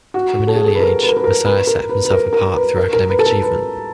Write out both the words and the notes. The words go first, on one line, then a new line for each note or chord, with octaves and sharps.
From an early age Masire set himself apart through academic achievement.
F#4
A4
G#4
A4
B4
A#4
B4
A#4
B4
A#4
B4
A#4
B4
B4
A#4
A#4
B4
A#4
A#4
B4
A4
A#4
B4